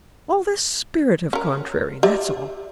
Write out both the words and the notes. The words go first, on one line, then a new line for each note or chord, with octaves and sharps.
All the spirit of contrary, that's all.
C#4 A#4
G4 D5 E5